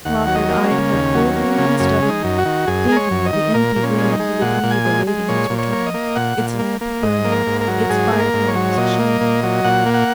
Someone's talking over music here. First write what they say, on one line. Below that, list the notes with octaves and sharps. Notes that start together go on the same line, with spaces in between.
Lawford eyed her coldly and stubbornly--thinking of the empty room he would leave awaiting his return, its lamp burning, its fire-flames shining.
D#2 F#5
F#3
D#5
A#3
C#4
C#3
D#2
F#3
A#3
C#3
F#2 C#4
G#3
D#4
F#2
F#4
D#3
F#2 G#4
G#3 A#4
C#5
F#2
D#5
D#3
A#2 A#4
A#2
C#4
G#3
D#4
G#3
A#2 F#5
A#2
G#5
G#3
G#3
A#2 C#5
A#2
C#5
A#3
D#5
A#3
A#2 F#5
A#2
A#3
A#3
G#2 D#5
A#3
A#4
G#2
A#4
F#3
G#2 G#4
A#3
A#4
G#2
C#5
F#3
A#2 D#5
A#3
A#2
F#3
A#2 F#5
A#3
F#5